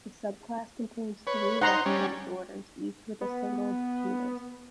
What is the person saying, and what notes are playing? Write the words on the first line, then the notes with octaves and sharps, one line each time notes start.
The subclass contains three recognized orders, each with a single genus.
B4 C#5
D#4 C5 F#5 A#5 C6
G3 C#4
B3